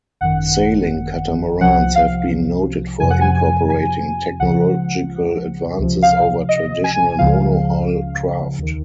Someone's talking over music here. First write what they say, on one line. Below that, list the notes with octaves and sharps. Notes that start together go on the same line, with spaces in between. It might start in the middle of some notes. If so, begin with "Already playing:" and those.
Sailing catamarans have been noted for incorporating technological advances over traditional monohull craft.
G#1 F#2 D#3 F#5
C2 C3 F3 F#5
F5
F2 C3 F3 G#5
F#5
G#5
G#5
G#5
C#2 C#3 F3 F#5
C#2 C3 F3
F5
D#5
G#5
C#2 C#3 F3 F5
D#2 D#3